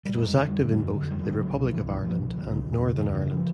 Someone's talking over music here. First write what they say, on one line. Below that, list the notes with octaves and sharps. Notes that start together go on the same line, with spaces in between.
It was active in both the Republic of Ireland and Northern Ireland.
G3
F2 G#3
D3
F2 G3
D3
G3
F2 F#3
D3
F2 G3
F#3
D3 G3
C2 F#3
B2
C2 E3
B2 E3
C2 F3
B2
C2 D#3
B2 D3
E2
C#3
E2 D#3
C#3 E3
F3